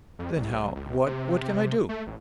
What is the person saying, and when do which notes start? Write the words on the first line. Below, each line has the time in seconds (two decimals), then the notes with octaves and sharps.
"Then how--what--what can I do!"
0.19 F2
0.36 C2
0.76 C#2
1.06 C3
1.42 C3
1.89 A3
2.07 A1